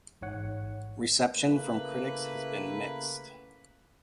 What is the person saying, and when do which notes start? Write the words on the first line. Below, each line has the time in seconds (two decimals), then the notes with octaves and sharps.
Reception from critics has been mixed.
0.21 A1 G#2 C#5 F#5
1.35 C#3 A3 A#3 E4 B4